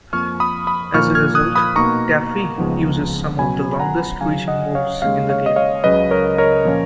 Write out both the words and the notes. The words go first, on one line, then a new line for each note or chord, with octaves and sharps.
As a result, Taffy uses some of the longest-reaching moves in the game.
F2 F3 A#3 C#6 F6
B5 D#6
B5 D#6
A#2 F3 A#3 D#4 C#6 F6
F6 G#6
D#6 F#6
B5 D#6
B2 A#3 D#4 A#5 C#6
C#2 C#3 F3 B3 D#4
B2 F#3 C#4 G#5 B5
B5
F#5 A#5
C#3 F#3 C#4 F5 G#5
D#5 F#5
C#5 F5
D#2 C#3 G#3 C#5 F5
C#5 F5
D#5
C#5 F5
C#2 C#3 F#3 B4 D#5
A#4 C#5
A#4 C#5
A#2 F3 A#3 C#4